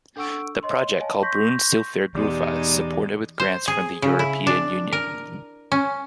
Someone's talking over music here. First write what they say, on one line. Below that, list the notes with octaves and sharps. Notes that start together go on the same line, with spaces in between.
The project, called Brunns Silfvergrufva, is supported with grants from the European Union.
D4 A4 F#5 C#6 E6 D7
C#5 D#5 C6
C#5 D#5 F5 G#5 A5
C6 C#6 G6 A#6 B6
B2 E3 G#3 B3 D#4 G4 D5
C5
G#4
C#3
E4
D4
A#4
C#4